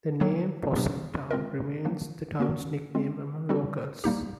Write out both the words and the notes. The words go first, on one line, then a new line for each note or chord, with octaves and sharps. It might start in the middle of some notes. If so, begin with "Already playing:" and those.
The name Possum Town remains the town's nickname among locals.
D#3 F#3 A#3
B2 F#3 B3 D4 G4
G#3 C4 F4 A#4 D#5
D#3 F#3 A#3 D4
A#3 C#4 F#4 A#4
G#3 C4 F4
G3 C4 D#4 F#4 A4
G3 A#3 D#4 G4